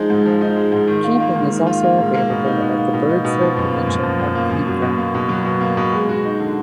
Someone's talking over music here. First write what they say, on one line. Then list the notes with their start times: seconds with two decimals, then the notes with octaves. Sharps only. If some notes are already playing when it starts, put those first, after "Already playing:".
Camping is also available at the Birds Hill Provincial Park Campground.
Already playing: F3 G#3 D#4
0.10 G#2
0.25 F3
0.41 D#4
0.56 G#3
0.72 G#2
0.87 D#3
1.04 F4
1.20 A#3
1.36 G#2
1.51 D#3
1.67 F4
1.83 A#3
1.98 G#2
2.15 A#3
2.30 B2
2.45 D#4
2.62 B2
2.77 A#3
2.94 B2
3.09 D#4
3.24 B2
3.41 F3
3.57 F#2
3.72 A#3
3.87 F#2
4.03 F3
4.19 F#2
4.35 A#3
4.50 F#2
4.67 F#3
4.82 B2
4.98 A#3
5.14 B2
5.29 F#3
5.45 B2
5.61 A#3
5.77 B2
5.92 G#3
6.09 F#4
6.24 D#4
6.40 D3